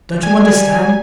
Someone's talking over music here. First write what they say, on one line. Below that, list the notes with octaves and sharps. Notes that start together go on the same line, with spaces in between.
Don't you understand?
G3 G#5